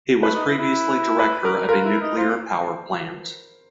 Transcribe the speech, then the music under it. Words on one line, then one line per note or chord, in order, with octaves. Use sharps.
He was previously director of a nuclear-power plant.
A3 B4
D#4
E4
E4
B4
A#4
F4 A#4
E4
D#4
F4 C5